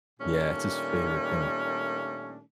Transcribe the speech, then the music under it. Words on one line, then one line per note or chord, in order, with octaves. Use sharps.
Yeah, it's his favorite thing.
A#2 D#3 G3 A3 C#4 D4